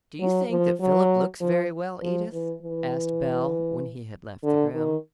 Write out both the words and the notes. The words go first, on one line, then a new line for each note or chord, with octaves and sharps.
"Do you think that Philip looks very well, Edith," asked Belle when he had left the room.
F#3
F3
F#3
F3
F3
E3
E3
D3
D#3